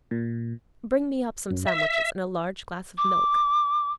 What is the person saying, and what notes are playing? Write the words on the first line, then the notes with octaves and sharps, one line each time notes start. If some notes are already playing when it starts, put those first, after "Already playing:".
Bring me up some sandwiches and a large glass of milk.
A#2
F#2
E5
D6